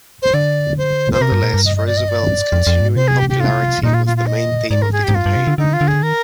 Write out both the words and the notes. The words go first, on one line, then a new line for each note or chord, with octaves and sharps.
Nonetheless, Roosevelt's continuing popularity was the main theme of the campaign.
C5
D3 D5
C5
C5
C3 A#4
G2
A#2
G2
D#5
D#5
D5
D#5
D5
F2
F2
G#2
C3 C5
G#4
G4
G4
F4
A#2 D#4
F4
F4
F4
D#5
G#2 D5
A#4
G#4
G#2 G4
G2 F4
G2
C3
D3
D3 D#4
F4
D3
G#4
D#3 A#4